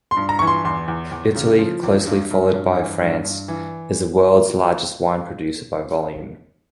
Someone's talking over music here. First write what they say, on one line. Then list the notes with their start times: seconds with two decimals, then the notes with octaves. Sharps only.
Italy, closely followed by France, is the world's largest wine producer by volume.
0.11 C6
0.17 G2
0.29 A#5
0.39 E3 C#6
0.47 C6
0.65 E2 C6
0.88 E2
1.11 E2
1.36 C#3
1.59 F3
1.83 E2
2.07 G2
2.31 G2
2.53 G2
2.78 E3
3.02 G2
3.24 G2
3.48 E3